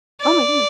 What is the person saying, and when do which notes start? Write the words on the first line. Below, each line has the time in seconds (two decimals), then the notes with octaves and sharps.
Oh my goodness.
0.22 D5